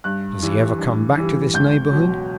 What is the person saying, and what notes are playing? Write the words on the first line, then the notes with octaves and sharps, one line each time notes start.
"Does he ever come back to this neighborhood?"
G2 F#6
E3 G3
G2
E3 G3
C#2 G6
B2 F#3